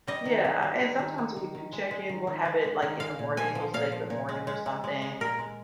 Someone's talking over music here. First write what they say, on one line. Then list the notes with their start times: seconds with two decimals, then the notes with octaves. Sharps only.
Yeah, and sometimes we do check-in, we'll have it, like, in the morning, he'll say "Good morning" or something, in
0.07 G3 D#5
0.26 D#3
0.45 D#3
0.63 G3
0.80 D#3
0.99 D#3
1.18 D#3
1.36 D#3
1.55 D#3
1.73 G#3
1.91 G#3
2.09 D#3
2.27 D#3
2.45 G#3
2.64 G#3
2.82 D#3
3.00 G#3 F5
3.19 A#2
3.37 F3 G#5
3.55 F3
3.74 A#2 F5
3.92 F3
4.10 A#2
4.29 G#3
4.47 G#3
4.66 G#3
4.84 G#3
5.02 G#3
5.20 A#2 A#4
5.39 G#3